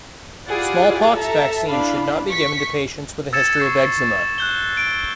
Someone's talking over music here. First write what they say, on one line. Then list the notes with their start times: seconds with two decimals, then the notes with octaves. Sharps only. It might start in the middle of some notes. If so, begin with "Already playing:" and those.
Smallpox vaccine should not be given to patients with a history of eczema.
0.46 E4 F4 G4 G#4 D5 F#5
1.17 A4 E5 A#5
1.69 D4 E4 F5 B5
2.30 C#6 B6
3.33 E6 G#6 A6 C#7 E7
3.60 C#6 C7
4.38 F#6 G6 G7
4.77 D7